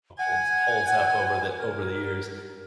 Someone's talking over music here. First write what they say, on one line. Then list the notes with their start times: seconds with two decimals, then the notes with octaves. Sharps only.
holds holds up over the over the years.
0.19 F#5 G#5
1.57 A#4